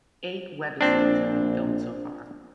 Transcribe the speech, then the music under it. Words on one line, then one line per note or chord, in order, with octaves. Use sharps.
Eight webisodes have been filmed so far.
A#1 C4 D4